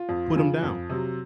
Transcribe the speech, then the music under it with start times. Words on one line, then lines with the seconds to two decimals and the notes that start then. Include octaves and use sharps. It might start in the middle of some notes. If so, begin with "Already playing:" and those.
put 'em down,
Already playing: F4
0.09 F2
0.36 C#3 F3
0.63 F2
0.90 C3 F#3